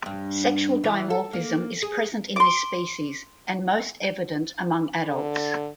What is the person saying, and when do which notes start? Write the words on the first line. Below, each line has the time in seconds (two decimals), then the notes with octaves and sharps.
Sexual dimorphism is present in this species and most evident among adults.
0.06 G2
0.84 E3
1.10 A4
1.33 A#3
1.82 G#4
2.36 C6 D6
5.06 D3